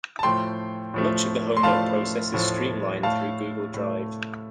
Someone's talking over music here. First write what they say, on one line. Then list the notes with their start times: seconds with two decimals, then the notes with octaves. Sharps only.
Much of the homework process is streamlined through Google Drive.
0.19 A5
0.23 A2 F3 A3 G5 C6
0.94 A2 F3 A3
1.57 C6
1.63 A2 F3 A3 F5 A5
2.34 A2 F3 A3
3.03 A2 A3 F5 A5
3.74 A2 A3